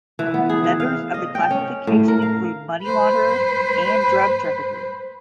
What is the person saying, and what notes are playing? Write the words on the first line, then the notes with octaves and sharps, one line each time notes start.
Members of the classification include money launderers and drug traffickers.
E3
B3
G#4
E3
F5
D#5
G5
C#4
A2
A#4
F5
B4 C5